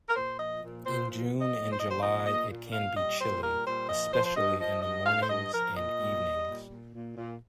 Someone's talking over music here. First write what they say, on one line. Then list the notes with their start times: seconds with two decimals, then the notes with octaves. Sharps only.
In June and July it can be chilly, especially in the mornings and evenings.
0.09 A#4
0.16 A#2 C5
0.39 F3 D#5
0.62 A#2
0.86 A#2 C5
1.09 F3
1.33 F3
1.41 D#5
1.56 A#2
1.72 C5
1.79 F3 D#5
1.88 C5
2.02 A#2 D#5
2.25 A#2 D#5
2.50 A#2
2.72 A#2 F5
2.96 G3 D#5
3.19 A#2 C5
3.43 G3 A#4
3.66 A#2 C5
3.89 F3 D#5
4.13 F3 C5
4.26 C5
4.36 G2 D#5
4.59 F3 D#5
4.82 G2 D#5
5.06 G2 F5
5.22 C5
5.30 G2 D#5
5.53 F3 A#4
5.76 A#2 D#5
5.99 G3
6.23 G3
6.47 A#2
6.70 A#2
6.93 A#2
7.16 A#2